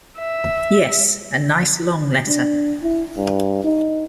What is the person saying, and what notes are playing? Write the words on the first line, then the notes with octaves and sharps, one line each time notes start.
Yes, a nice long letter.
E5
D4
E4
G2
D#4